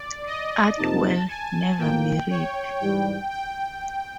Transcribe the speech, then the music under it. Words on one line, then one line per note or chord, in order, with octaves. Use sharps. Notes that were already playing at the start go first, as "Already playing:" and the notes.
Atwell never married.
Already playing: D5
D#5
F2 C3 F3 A#3 D#4 A5
G#5
A2 F3 A#3 G5
C#5
G#2 E3 G3 G5
G5